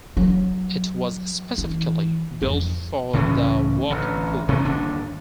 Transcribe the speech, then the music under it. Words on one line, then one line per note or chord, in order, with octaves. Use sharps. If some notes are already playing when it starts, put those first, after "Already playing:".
It was specifically built for the working poor.
F#3
E3
F2
C#2 A2 E3 C#4
A1 D3
D2 C3 C#4
G1 D#2 D4